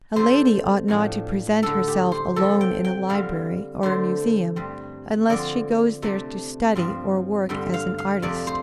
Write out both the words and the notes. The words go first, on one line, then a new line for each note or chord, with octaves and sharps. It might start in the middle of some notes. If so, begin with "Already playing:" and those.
A lady ought not to present herself alone in a library, or a museum, unless she goes there to study or work as an artist.
C3 A3 D4 C5
A2 F3 D4
D3 A3 D4 A4
G4
C5
C3 F3 C4 A4
G5
G5
D3 G3 C4 F5
D3 A3 D4 C5
G2 G3 C4
D3 F3 C4 D5
C3 A3 D4
G2 F3 C4
G2 D3 G3 C4 G5
F5
F5
F2 C3 A3 D4 D5
C5